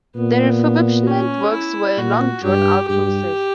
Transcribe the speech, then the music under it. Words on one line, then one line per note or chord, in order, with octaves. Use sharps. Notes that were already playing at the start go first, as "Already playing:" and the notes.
The refurbishment works were a long drawn out process.
A#2 B3
C#4
E4
A#2 F#4
G2 G4
G2 G4